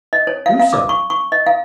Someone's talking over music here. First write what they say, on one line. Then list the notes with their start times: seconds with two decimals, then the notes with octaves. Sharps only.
"Do so."
0.13 D#5
0.27 C#5
0.46 F5
0.60 F5
0.73 D6
0.89 C#6
1.10 C#6
1.32 D#5
1.46 F5